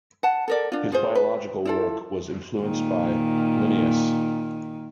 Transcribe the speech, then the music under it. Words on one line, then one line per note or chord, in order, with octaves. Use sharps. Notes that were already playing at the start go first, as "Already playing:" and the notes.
His biological work was influenced by Linnaeus.
F#5 A5
A4 A#4 D5
D4 F4
F4 G#4 C5
B4
E4 F4 A4
A#2 D#3